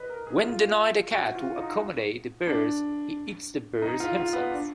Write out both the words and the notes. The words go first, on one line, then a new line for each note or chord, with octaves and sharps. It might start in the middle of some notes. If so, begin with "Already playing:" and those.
When denied a cat to accommodate the birds, he eats the birds himself.
Already playing: B4 D#5
A#4
G#4
F4
F#4
F4
D#4
D4
D#4
F4
F4
B3
D4